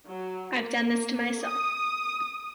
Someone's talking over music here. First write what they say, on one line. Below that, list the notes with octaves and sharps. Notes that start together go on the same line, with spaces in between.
I've done this to myself.
F#3
A#3
D#6